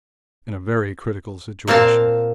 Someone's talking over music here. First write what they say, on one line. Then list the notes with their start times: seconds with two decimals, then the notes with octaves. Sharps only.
In a very critical situation.
1.67 A#2 A#3 C4 F5 A5